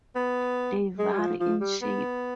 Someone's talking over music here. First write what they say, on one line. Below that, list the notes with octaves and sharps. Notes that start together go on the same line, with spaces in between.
They vary in shape.
B3
G#3
G3
F3
F3
G3
B3